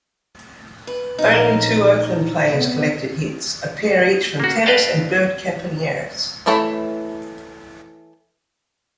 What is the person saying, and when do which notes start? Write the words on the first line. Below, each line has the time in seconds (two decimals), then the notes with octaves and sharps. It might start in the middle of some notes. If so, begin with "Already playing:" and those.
Only two Oakland players collected hits, a pair each from Tenace and Bert Campaneris.
0.87 B4
1.19 A#1 C#4 D#4
2.47 C3 B3
4.40 A#3 F#4
4.66 B4 D5 D#5 F5 G5 A5
6.46 E3 A3 E4 A4 C#5